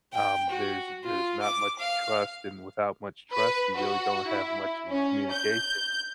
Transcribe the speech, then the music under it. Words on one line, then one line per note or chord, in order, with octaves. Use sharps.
um, there's there's not much trust, and without much trust, you really don't have much in communication,
G5
F#4
F4
D6
F5
B4
F#4
E4
C#4
G6